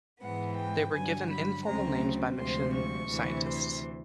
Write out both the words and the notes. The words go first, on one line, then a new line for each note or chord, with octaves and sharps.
They were given informal names by mission scientists.
G#2 E3 G#3 B3 F#5
G5
G2 D3 F#3 G#5
B5
D2 C#3 F#3 A3 C4 A#5
D2 C3 F3 G#3 C6
C#6
D2 C3 E3
C6